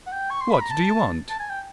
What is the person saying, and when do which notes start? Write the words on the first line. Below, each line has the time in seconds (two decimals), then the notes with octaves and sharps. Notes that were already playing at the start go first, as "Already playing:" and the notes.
"What do you want?"
0.07 F#5
0.12 G5
0.31 C#6
0.41 C6
0.51 B5
0.61 A#5
0.71 A5
1.30 A5
1.40 G#5
1.50 G5